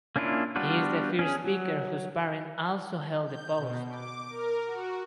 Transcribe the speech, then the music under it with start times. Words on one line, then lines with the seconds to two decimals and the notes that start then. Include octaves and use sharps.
He is the first speaker whose parent also held the post.
0.16 A#3 C#4 D4 E4 F4
0.56 G3 B3 D4 F4 F#4
1.19 C#4 G#4
1.44 F#3
3.25 G6
3.55 B2
3.89 D6
4.30 A#4
4.66 F#4